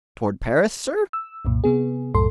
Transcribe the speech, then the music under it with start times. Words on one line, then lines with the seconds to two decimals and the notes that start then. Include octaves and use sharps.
"Toward Paris, sir?"
1.13 E6
1.45 C2 F#2 A#2
1.64 C3 B3 G#4
2.14 C2 F#2 A2 A4 C6